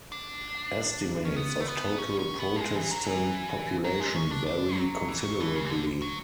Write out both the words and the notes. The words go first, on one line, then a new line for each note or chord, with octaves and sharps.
Estimates of total Protestant population vary considerably.
D4
C#4
B3
A3
B3
C#4
C#4
B3
A3
G#3
E3
F#3
E3
F#3
G#3
C#4
D4
D4
F#3
E3
C#3
E3
C#3
E3
D3
F#3